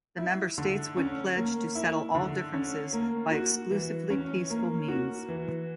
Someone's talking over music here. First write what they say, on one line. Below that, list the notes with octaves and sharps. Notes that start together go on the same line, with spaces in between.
The member states would pledge to settle all differences by exclusively peaceful means.
E4
D3
C#4
A#3
E4
D3
C#4
A#3
F#4
E3
C#4
A#3
F#4
E3